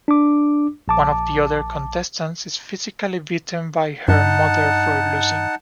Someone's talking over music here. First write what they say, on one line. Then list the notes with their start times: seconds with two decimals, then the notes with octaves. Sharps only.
One of the other contestants is physically beaten by her mother for losing.
0.08 D4 D6
0.88 A#1 A5 D6
4.08 G2 D#4 F#5 A5